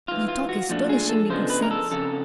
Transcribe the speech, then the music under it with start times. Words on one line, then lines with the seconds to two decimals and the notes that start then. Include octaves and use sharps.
You talk astonishingly good sense.
0.08 G#2 E3 F4
0.28 F4
0.49 F#4
0.69 A#2 F3 A3 D4
0.89 G#4
1.09 A4
1.30 C#3 F3 G#3 B3 D4 C5
1.50 B4
1.62 A#4
1.71 A4
1.91 F2 C#3 A4